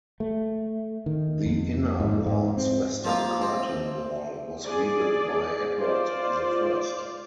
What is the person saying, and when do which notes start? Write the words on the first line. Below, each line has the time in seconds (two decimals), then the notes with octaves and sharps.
The inner ward's western curtain wall was rebuilt by Edward the First.
0.20 A3
1.06 D#3
1.46 F2
2.00 G#2
2.26 G#2
2.57 C4
3.04 F3 A#3 F4
3.41 C4
4.66 G#4 D5
5.78 F4 C5 D5